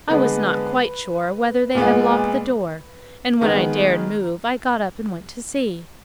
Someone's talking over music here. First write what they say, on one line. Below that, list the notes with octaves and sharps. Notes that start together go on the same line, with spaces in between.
I was not quite sure whether they had locked the door; and when I dared move, I got up and went to see.
D3 G#3 B3 B4
A#2 G#3 B3
D#3 G#3 B3 A#4